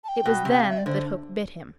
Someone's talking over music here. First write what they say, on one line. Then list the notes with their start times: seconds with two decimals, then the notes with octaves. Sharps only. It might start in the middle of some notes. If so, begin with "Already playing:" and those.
It was then that Hook bit him.
0.04 A5
0.08 G5
0.26 B2
0.45 C3
0.51 G5
0.60 F5
0.69 E5
0.78 D5
0.86 D3 C5